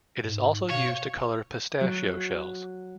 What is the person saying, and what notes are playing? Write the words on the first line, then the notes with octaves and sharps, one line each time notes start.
It is also used to color pistachio shells.
G#2
B2 C#5 F5
F#3